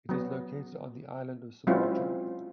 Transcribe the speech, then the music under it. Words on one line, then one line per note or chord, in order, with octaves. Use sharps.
It is located on the island of Sumatra.
F#3 B3
F#3 G#3 C4 C#4 E4 F4